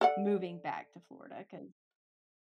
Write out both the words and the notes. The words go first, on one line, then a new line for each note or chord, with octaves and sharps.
moving back to Florida 'cause
A4 D5 F#5